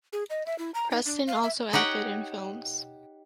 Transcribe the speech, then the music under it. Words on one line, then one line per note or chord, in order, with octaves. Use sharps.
Preston also acted in films.
G#4
D#5
E5
E4
A#5
D#4
D4
F5
E5
D#4 G4 C#5 F#5 G5